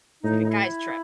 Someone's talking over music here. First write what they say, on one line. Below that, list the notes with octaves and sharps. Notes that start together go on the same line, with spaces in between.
It's like a guys' trip.
A2 D#4
D#4
E4